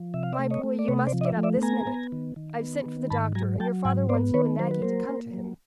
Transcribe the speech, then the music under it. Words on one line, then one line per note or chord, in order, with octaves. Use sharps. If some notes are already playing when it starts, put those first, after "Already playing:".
"My boy, you must get up this minute; I've sent for the doctor, and your father wants you and Maggie to come to him."
Already playing: F3
C3 E5
F5
D5 E5
A3
C#5 D#5
A3
D5
C3 B4 C#5
C5 D5
F3
D#5
D5 E5
A3
D5 E5
B3 G#5 A#5
B3
D#3
D#3
B3
D#3
G#2 A5 B5
F#3 G#5 A#5
F#3 G5 A5
G#2 F#5 G#5
B3 C5 D5
D#3 B4 C#5
F#3 C5
B4
A#3 A#4 C5
A#3
F#3